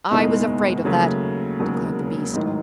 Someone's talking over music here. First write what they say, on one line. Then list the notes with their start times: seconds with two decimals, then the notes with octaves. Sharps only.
"I was afraid of that," declared the beast.
0.10 F#1 E2 B2 G#3 D#4
0.85 D#2 C#3 F#3 A3
1.60 E1 D#2 C#3 F#3
2.33 A1 G#2 D#3 F#3